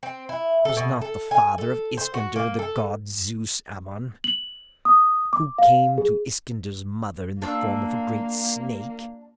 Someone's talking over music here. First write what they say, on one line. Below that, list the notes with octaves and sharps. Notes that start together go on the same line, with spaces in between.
Was not the father of Iskander the god Zeus Ammon, who came to Iskander's mother in the form of a great snake?
C4
E4
A4
B2
A4
G#5
A4
C5
F#4
A#3
A4
F#7
D#6
D6
F5
G#4
A#3 D4 F4 E6